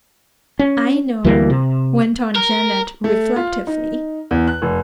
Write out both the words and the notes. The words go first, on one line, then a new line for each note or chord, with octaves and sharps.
"I know," went on Janet reflectively.
C#4
D2 E3 G3 A#3
C3
A#4
A3
F4
D#4
E2
F#6
F1